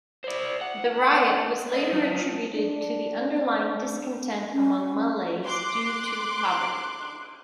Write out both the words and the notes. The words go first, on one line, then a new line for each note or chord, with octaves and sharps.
The riot was later attributed to the underlying discontent among Malays due to poverty.
C5 D5
F#5
C5 D#5
F#3 F4
D4
C#4
C6 D6 F#6